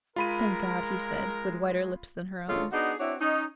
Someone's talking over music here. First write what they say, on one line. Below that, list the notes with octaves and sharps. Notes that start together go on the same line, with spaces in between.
"Thank God," he said, with whiter lips than her own.
G#3 F4 A#4 B5 D#7
D2 G#3 F4 A4 C#5
B3 D4 D#4 F#4 G#4
C4 D4 E4 F#4 C#5
C#4 D#4